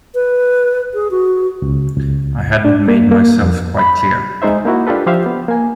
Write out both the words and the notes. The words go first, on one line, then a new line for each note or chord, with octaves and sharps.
I hadn't made myself quite clear.
B4
G#4
F#4
C#2
C#2
D4
A#3
A#3
F2
B5
G#3 D#4 C5 E5
A#3 D#4 E4 F#4
D4 F4 G4 A4 B4
F3 G4 C5 E5 F5
B3
A#3 G#5